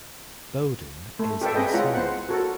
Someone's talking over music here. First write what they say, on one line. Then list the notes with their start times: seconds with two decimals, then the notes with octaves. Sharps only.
Bodin is a surname.
1.19 A3
1.41 G4 A4 B4 E5
1.54 C4 G#4 B4 D#5 G5
1.73 G#3 E4 F4 C#5 F#5 A#5
1.94 B3 C5 F#5
2.29 F#4 A4 A#4